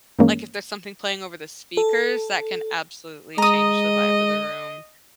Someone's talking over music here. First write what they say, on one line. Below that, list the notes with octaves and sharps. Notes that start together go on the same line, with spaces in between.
like, if there's something playing over the speakers, that can absolutely change the vibe of the room.
G2 D#3 E3 G#3 A#3 C#4
A4
G#3 D#5 A#5 D#6